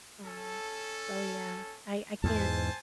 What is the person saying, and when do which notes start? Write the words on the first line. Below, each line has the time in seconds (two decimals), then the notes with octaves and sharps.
Um, so, yeah, I I can't
0.25 C#4 A4
2.24 E2 G#2 C5 G#5 A5